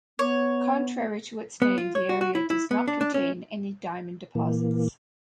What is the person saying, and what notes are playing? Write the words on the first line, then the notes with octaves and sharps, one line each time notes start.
Contrary to its name, the area does not contain any diamond deposits.
B3 C#5
B3
F4
C#5
F#4
F#4
E4
E4
B3
D4
D4
C#4
A#2 E3 A#3